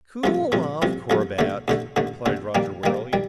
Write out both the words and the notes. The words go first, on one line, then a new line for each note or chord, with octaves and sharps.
"Cool off, Corbett," replied Roger warily.
C2 C3 F3 A3
C2 C3 F3 A3
C2 C3 F3 A3
C2 C3 F3 A3
D#2 D3 A3
D#2 D3 A3
D#2 D3 A3
D#2 D3 A3
D#3 G3 A#3
D#3 G3 A#3
D#3 G3